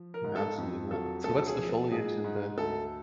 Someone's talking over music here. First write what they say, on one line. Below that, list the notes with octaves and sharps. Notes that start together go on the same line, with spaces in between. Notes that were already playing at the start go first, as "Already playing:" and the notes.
Absolutely not. So, what's the foliage and the
Already playing: F3
A#4
G#2
A4
F2
F#3 A4
D2 A4
G#4
F3
A4
G#2 G#4
G#2
D2 A4